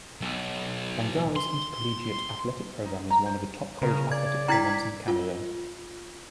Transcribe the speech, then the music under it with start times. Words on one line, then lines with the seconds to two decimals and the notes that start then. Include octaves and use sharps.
Langara's intercollegiate athletic program is one of the top college athletic programs in Canada.
0.22 B1
1.36 C6
2.85 D#4
3.11 A#5
3.26 C5
3.82 C#3 A#4
4.12 D5 G#6
4.48 E4 G5 A#5 G#6 B6
5.08 F4